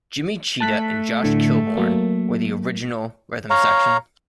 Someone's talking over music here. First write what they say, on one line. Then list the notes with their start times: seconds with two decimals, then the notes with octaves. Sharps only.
Jimi Cheetah and Josh Kilbourn were the original rhythm section.
0.61 A3 A5 F#6 B6
1.23 A2 D3
1.77 F#3 A#3
3.50 C#5 F5 A#5